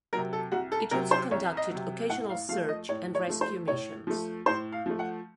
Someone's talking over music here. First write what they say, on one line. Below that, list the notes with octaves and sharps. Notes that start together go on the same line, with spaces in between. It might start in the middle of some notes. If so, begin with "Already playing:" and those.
It also conducted occasional search and rescue missions.
C3 F#3 A#4
A4
C2 F#4
A4
C3 F#3 A#4
C5
C2 C#5
D#5
C3 F#3
A2 F#5
F5
F3 A3 F5
D#5
A2 C#5
C#5
F3 A3
C5
A2 C#5
F3 A3
A2 C5
F5
F3 A3
F#5